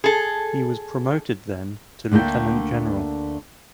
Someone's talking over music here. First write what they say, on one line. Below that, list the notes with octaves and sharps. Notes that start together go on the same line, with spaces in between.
He was promoted then to Lieutenant general.
G#4 A4
D2 D3 A3 A#3 G5